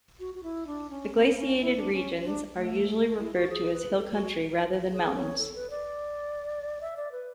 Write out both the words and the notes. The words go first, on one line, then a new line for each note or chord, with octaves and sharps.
The glaciated regions are usually referred to as hill country rather than mountains.
F#4
F#4
E4
D4
C#4
B3
C#4
E4
D4
C#4
D4
A3
E4
F#4
G#4
B4
A4
F#4
G#4
C#5
A4
B4
D5
E5
D5
B4